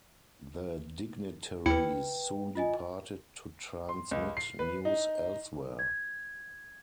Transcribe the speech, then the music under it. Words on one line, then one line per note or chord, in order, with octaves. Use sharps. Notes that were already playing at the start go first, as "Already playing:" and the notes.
The dignitaries soon departed to transmit news elsewhere.
D#2 E4 B4 G5 C#7
F4 D#5 G#5
C6
C#2
C7
B4
D#4
G#6